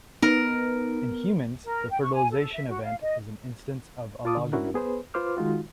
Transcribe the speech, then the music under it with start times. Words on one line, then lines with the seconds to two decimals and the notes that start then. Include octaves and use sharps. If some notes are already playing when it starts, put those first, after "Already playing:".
In humans, the fertilization event is an instance of allogamy.
0.22 B3 D#4 A#4 B4
1.64 A#4
1.90 G5
2.02 C#6
2.14 G#5
2.31 A4
2.53 E5
2.69 F#4
2.83 F5
3.02 D#5
4.25 F4 A5 D6 D#6
4.37 D3
4.53 C#4 D4 E4 F#4 A#4
4.74 B3 G#4 B4 C5
5.14 F4 B4 C5 C6 D6 F6
5.37 D#3 G#3 D#4 F4 F#4